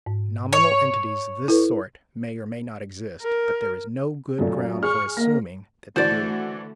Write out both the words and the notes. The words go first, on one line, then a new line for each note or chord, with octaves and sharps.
Nominal entities of this sort may or may not exist, but there is no good ground for assuming that they do.
G#2
C#5
E4 A4 B4
A#4
F#2 A#2 A3
G#4 C#6 F6
A#3 A#6
D3 E3 A3 D4 F#4 C5 D5